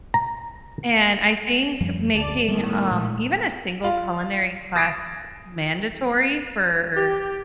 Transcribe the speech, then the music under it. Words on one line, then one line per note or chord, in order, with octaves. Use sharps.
And I think making, um, even a single culinary class mandatory for
A#5
F#2 F3 G3
G1 D2 D5 A5
A2 D#3 G3 A3 B3
A#2 G#3
F4 F5
D#6 A6 A#6 C7 D7
G4